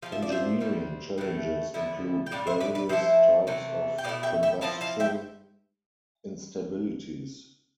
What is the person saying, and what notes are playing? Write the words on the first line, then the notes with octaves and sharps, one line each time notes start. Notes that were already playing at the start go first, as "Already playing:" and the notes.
Engineering challenges include various types of combustion instabilities.
F3 C4 F4 F5
E5
D5
C5 E5
B2 G3 C4
A2 E3 A3
D3 F3 B3 E4
G5
A2 G3 D4 D5 F5
C5 E5
B4 D5
B4 D5
F3 A3 E4 C5 E5
C3 E3 A3
G5
B2 A3 E4 D5 F5
E5 G5
E5 G5
F3 C4 E4 F5 A5
F5 A5
E5 G5